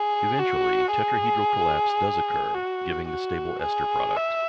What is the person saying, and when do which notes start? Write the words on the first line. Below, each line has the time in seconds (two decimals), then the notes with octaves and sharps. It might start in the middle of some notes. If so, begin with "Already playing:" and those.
Eventually tetrahedral collapse does occur, giving the stable ester product.
Already playing: G#4
0.39 F#4
0.93 G#4
2.55 F#4
3.09 F#4
3.62 G#4
4.16 E5